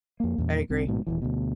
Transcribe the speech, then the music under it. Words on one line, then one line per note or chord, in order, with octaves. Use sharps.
I agree.
F2 A#3
E2 A#2
C2 C4
A1 G#2 B2
D#1 B1 E3
D2 B2